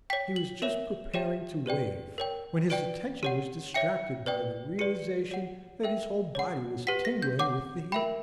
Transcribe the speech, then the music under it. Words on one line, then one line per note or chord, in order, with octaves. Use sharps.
He was just preparing to wave when his attention was distracted by the realization that his whole body was tingling with the heat.
C#5 G5 B6
F#7
A#4 C#5 E5 E7
G4 C#5 E5 G5 E7
G4 B4 D5 G5
A#4 C#5 G5
B4 D5 G5 D7
G4 C#5 F#5
C#5 E5 G5 C#7
B4 D5 G5
G4 B4 D5 C#7
C#5 F#5
A#4 E5 G5
C#5 F#5
G4 B4 F#5 B6
A#6
G6
C#5 F#5 D6
A#4 E5 G5 B5